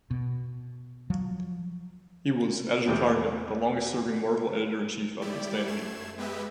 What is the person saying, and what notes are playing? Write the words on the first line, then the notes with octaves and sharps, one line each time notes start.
He was, at his retirement, the longest-serving Marvel editor-in-chief other than Stan Lee.
B2
F3 F#3
E2 C3 E3 A3 G5 D6
G3 E4 G4 D5
F#2 A3 G#6 C7 E7
G#3 B3 G4 B4 D#5 E5